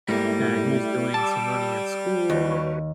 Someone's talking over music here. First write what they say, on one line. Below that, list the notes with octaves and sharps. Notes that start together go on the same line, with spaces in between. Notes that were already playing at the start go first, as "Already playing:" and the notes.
Uh, he was doing some running at school,
G#2 G3 A3 A#3 E4
A5 D6 E6
D#2 F#4 B4 C#5